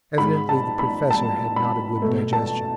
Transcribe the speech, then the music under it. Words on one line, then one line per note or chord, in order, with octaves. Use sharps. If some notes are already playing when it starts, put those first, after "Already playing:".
Evidently the professor had not a good digestion.
G#2 G#3 B5
A5
B5
A5
B5
B2 A3
A5